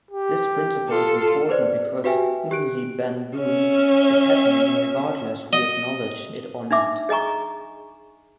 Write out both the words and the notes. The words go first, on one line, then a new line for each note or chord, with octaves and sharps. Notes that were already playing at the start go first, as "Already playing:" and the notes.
This principle is important because Unsibanbon is happening regardless we acknowledge it or not.
G4
F4 A4
G#4 B4 C5 D5
F#4 G4 B4 E5 G5 G#5
G4 F#6 D7
C#4 E5
D#5
D4 D#4 E5 D6
G#4 D#5 G#5 A#5 C#6